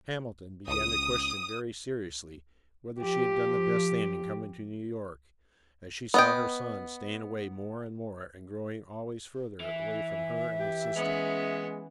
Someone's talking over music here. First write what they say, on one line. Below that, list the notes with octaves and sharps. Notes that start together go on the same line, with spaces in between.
Mrs. Hamilton began to question very seriously whether she had done the best thing in coming to New York as she saw her son staying away more and more and growing always farther away from her and his sister.
C#2 D#6
F3 G4
B3 D#5 G5
E3 E5
G4
G#3 B3 C#4